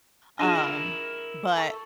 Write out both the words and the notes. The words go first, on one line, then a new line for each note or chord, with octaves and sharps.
um but,
D4 F4 G#4 D#5 G#5 A5
E4 A#4
A4 A5 C#6